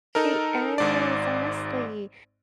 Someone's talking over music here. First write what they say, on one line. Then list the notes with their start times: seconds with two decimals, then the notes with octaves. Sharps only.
She is, honestly.
0.15 D#4 A4 A#4
0.78 G#1 G#2 D5